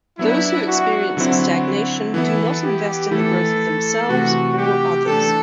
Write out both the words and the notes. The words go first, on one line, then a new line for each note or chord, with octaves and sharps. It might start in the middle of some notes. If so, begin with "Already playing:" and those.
Those who experience stagnation do not invest in the growth of themselves or others.
F#3 B3 D4 E4
F#4
D3 F#3 C4 E4 F#4
E3 B3 E4 A4
G4
E3 A3 E4 A4
C3 E3 A3 F#4
G4
E3 A3 D4 A4